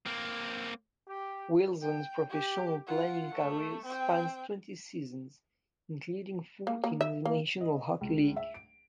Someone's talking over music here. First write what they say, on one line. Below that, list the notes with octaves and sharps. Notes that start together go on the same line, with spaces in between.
Wilson's professional playing career spans twenty seasons, including fourteen in the National Hockey League.
A#3 C4
G4
G5
G4
F4 F#5
A3
C4 G5
A#3
A#3
E5
A#3
D#5
C#2
E5
D7